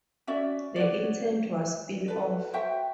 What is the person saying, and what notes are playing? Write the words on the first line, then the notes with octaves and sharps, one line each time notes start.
The intent was spin off.
C#4 F#4 D5 E5
F#4 C#5 D5
A4 B4
F#4 C5 E5 G5